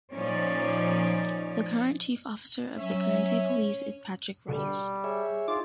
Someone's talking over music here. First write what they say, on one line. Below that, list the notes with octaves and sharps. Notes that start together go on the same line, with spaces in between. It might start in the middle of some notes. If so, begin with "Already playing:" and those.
The current Chief Officer of the Guernsey Police is Patrick Rice.
A#2 F3 C#4 D#4 D5
F#3 C#4 E5
B2 D3 G3
G#4 C#5 E5
D#4 F4 G#4 D6